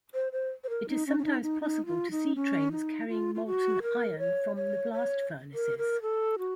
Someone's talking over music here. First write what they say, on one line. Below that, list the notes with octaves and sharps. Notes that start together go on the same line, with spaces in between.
It is sometimes possible to see trains carrying molten iron from the blast furnaces.
C5
C5
C5
A#4
D#4
C#4
C#4
D#4
D#4
D#4
F4
D#4
C#4
D#4
F4
F4
F#4
A#4
C#5
C#5
C#5
A#4
A#4
A4
F#4